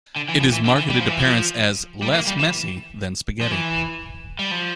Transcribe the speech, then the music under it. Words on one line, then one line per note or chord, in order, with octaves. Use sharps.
It is marketed to parents as "less messy" than spaghetti.
D3
E3
F3
E3
D3
E3
G3
F3
E3
F3
G3
A#3
G3
E3
F3
E3
G3
F3